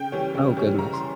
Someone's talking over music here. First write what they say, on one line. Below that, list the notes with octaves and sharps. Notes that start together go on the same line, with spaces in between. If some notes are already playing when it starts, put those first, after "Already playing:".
Oh goodness.
Already playing: C#3 G5
E3 G3 C#4
C#3
E3 G3 C#4
C#3 A#5
C6